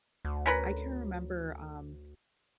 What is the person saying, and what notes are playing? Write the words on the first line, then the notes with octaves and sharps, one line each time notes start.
I can remember, um,
D2
C#4 A#4 B4